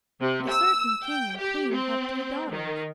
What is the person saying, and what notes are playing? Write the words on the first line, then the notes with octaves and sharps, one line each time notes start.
A certain king and queen had three daughters.
C3
E6
G5
G4
C4
D#3